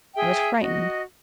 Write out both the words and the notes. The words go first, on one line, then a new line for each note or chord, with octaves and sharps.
I was frightened.
G#4 E5 G5
F#4 D#5